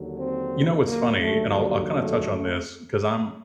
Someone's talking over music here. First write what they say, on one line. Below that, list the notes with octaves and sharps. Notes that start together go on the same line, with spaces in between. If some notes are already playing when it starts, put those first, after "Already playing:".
You know, what's funny, and I'll I'll kinda touch on this 'cause I'm
Already playing: D#2 D3 F#3
C4
A#3
D#2 D3 F#3 A3
G3
A3